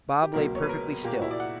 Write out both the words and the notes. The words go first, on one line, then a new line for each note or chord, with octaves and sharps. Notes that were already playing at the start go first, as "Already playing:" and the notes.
Bob lay perfectly still.
G4
C#2 B2 F#3 A#3 A#4
C#5
B4
A#4
A#2 A#3 G4
F#4
E4
D5
F#5